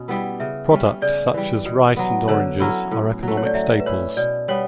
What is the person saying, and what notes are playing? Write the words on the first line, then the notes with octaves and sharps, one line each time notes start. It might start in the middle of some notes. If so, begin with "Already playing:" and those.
Products such as rice and oranges are economic staples.
Already playing: B2 C#4
G3 B3 E4
C#3 E5
G3 C#4
C#3 D5
E3 G3
B2
F#3 B3
D3 C#5
F#3 C#4 E4
A2
F#3 A3
C#5
D5
F#3 E5
B4
C#4 E4 C#5
B2 D5
G3 B3 C#5